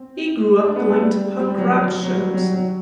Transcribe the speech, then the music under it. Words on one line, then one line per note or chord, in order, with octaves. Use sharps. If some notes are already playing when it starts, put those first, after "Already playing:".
He grew up going to punk rock shows.
Already playing: C4
D4
B3
G3
A3
G3
G3
F#3
F#3
F#3
F#3
G3
F#3
F#3